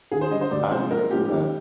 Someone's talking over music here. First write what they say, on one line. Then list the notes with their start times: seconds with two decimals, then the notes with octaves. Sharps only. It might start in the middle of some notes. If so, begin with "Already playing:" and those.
I've never seen that.
0.11 D#2 G#4
0.21 C5
0.31 D3 G3 D#5
0.41 C5
0.51 D2 D5
0.71 C3 F3 G#3 C5
0.91 A#1 A#4
1.10 A#2 F3 G#3 G4
1.30 D#2